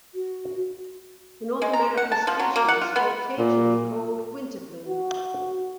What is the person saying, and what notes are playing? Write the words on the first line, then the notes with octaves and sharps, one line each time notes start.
The North American species are occasionally called winterbloom.
F#4
G#3
A#5
F#5
A5
F3
F#3
A#3
F#5
F4
B3
A#2
F#4